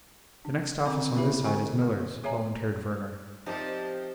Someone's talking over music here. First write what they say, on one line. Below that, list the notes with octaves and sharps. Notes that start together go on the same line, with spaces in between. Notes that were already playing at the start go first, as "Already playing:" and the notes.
"The next office on this side is Millard's," volunteered Werner.
D4
D3 C4 D6
C4 E4 G4 B4 E5 B5
D3 G#4 G5 G#5 C#6
A#3
G#4 C#5 E5 G#5 A#5
C3 F3 C4 D#4 G4 A#4 D5 A5